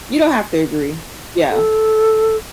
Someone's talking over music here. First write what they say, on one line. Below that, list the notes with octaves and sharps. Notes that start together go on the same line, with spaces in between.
You don't have to agree. Yeah.
A4